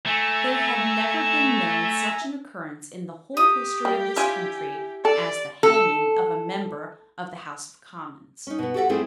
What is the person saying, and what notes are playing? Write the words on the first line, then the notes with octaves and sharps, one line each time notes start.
There had never been known such an occurrence in the whole history of this country as the hanging of a member of the House of Commons.
A3 E5 G#5 A#5
G4 D#6
G3
D4 E4 F4 G#5
A4 D5
A4
C#4 D#4
B2 B3
F#4 G4 A4 A#4 E5 F#5
A3 C4 D4 E4 G#4 A4